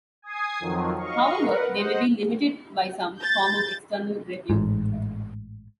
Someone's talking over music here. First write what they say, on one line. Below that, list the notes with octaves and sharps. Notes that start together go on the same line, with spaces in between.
However, they may be limited by some form of external review.
G#5 D#6 G#6 C7
F2 D#3 F3 F#3
D#5 F5 C#6
A#4 B4 F#5
C5 D#5 F#5
G6 A6
A1 G#2